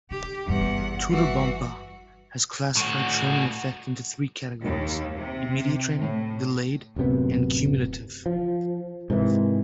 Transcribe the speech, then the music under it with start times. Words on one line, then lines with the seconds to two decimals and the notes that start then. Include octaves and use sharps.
Tudor Bompa has classified training effect into three categories: immediate training, delayed, and cumulative.
0.11 D3 G4
0.47 G1 E2 G2 F#5
1.09 E3 F#4
2.76 A2 F#4
4.63 D#2
5.16 C3
5.97 A2
6.96 D1 F#2 C3 B3
8.26 F3
9.10 G#2 C3 D#3 E3